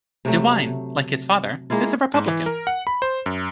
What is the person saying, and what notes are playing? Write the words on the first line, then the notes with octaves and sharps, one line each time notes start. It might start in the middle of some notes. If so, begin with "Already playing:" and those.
DeWine, like his father, is a Republican.
C3 F#3 A3
G#3 A#3 E4 F4
G#2
E3
A#4
F#5
B5
C5
F#2